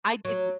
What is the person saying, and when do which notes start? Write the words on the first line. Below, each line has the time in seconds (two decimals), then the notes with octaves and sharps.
I didn't
0.25 F#3